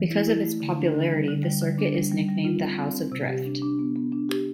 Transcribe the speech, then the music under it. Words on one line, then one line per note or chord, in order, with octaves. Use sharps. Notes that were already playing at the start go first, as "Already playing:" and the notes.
Because of its popularity, the circuit is nicknamed the "House of Drift".
Already playing: E3
E4
E4
A3
D3
D4
D3
G3
D3
G3
D3
D4
G3
G3
G3
F4
C4
C4
C4
C3
G4
D4
D4
B3
B3
D4
G4